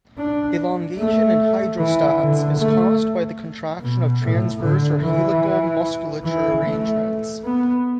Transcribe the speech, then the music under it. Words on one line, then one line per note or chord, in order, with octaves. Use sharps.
Elongation in hydrostats is caused by the contraction of transverse or helical musculature arrangements.
D4
A3
E3
D3
A3
B2
A2
D3
E3
E3
A3
B3